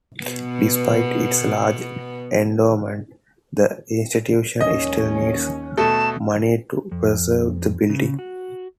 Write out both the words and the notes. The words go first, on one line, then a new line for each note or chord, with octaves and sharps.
Despite its large endowment, the institution still needs money to preserve the building.
B2 B3
D#2 C#4 D#5
B2 A3 A4 A5
F2
C#3
F#4